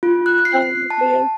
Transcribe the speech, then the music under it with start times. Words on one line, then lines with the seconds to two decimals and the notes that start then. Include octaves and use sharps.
Oh, man.
0.03 F4
0.26 F#6
0.45 C7
0.90 A5